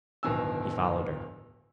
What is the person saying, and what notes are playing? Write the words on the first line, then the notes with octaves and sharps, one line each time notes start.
He followed her.
D1 G1 B2 D#3 G#5 E6